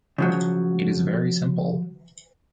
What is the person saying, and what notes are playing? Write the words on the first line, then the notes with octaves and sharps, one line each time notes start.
It is very simple.
C#3 F3 F#3